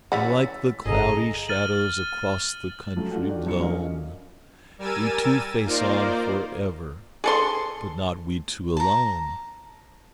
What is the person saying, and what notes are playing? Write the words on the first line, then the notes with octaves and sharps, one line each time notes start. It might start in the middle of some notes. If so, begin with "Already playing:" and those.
And like the cloudy shadows Across the country blown We two face on for ever, But not we two alone.
E3 C#4 F#4 E6 A6 B6
G1 C#3 G#4 A4 D#5 A#5
F6 A6 D#7 F#7
F3 F#3 A3 C#4
D4 F4 F#4 A4 F5 G5
D4 D#4 F#4 G#4 D5
A#1 F#3 C#7
C#4 F4 A4 A#4 D#5 F5
G3 A#4 G#5 E6 A6 D#7
A#3 D#4 F4 A#4 C5 D5
G#4 A4 C6
A5 A#5